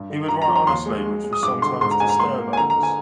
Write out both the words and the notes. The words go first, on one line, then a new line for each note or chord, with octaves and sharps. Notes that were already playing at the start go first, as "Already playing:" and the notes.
He would write honestly which would sometimes disturb others.
Already playing: G2
D3
G2 A#5
A#5
F3
A#5
D#2 C6
G#3
G#3
G#3
D#6
G2 D6
D3 C6
G#2 C6
A#5
G#2 G#5
A#5
A#3 C6
A#3
G#5
D3 A#5
A#5
D3
G#5